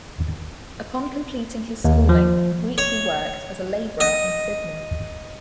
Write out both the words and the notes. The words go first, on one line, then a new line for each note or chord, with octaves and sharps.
Upon completing his schooling, Wheatley worked as a labourer in Sydney.
D#2
F3
C#5
D#5